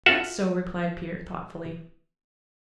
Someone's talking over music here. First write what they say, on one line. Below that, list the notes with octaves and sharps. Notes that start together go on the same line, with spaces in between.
"That's so," replied Peter thoughtfully.
F4 F#4 A4 E5 F#5